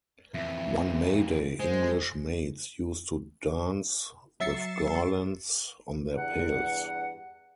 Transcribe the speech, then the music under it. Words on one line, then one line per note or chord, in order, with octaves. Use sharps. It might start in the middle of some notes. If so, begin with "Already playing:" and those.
On May Day, English maids used to dance with garlands on their pails.
F2 E3 E5
G#3 C5
F#3 E5 E6 A6 C7 C#7
E2 G2 F#5